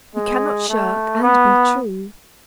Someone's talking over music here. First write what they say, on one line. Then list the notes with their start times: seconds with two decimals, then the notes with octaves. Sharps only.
We cannot shirk and be true.
0.15 G#3
0.69 A3
1.22 B3